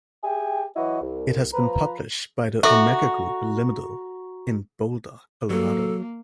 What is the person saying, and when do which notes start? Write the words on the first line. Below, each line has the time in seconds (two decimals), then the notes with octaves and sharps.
It has been published by the Omega Group Limited, in Boulder, Colorado.
0.24 G4 G#4 E5 G5 G#5
0.76 E3 F#3 E4 F#4 B4 D#5
1.01 C2
1.53 F3 B4 A#5
2.63 F#4 A4 E5 A#5 C#6
5.50 F#3 A#3 A4